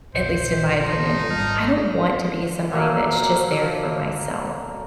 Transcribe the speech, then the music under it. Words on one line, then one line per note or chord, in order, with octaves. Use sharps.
at least in my opinion, I don't want to be somebody that's just there for myself.
A#1 E2 C5
D#4 F4 A4 C6
G#1 G3 D#5 A5 F6
A#2 F#3 A3 A#3